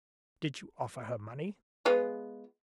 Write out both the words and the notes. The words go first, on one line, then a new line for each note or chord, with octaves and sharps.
"Did you offer her money?"
G#3 B3 F4